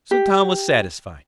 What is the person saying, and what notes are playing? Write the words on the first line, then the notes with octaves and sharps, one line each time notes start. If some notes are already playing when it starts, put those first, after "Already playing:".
So Tom was satisfied.
G4